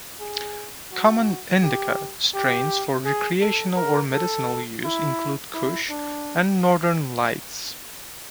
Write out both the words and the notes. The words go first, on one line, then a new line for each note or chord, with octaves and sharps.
Common "indica" strains for recreational or medicinal use include Kush and Northern Lights.
G#4
F#4
G4
G4
G#4
A4
A#4
A4
E4
E4
D4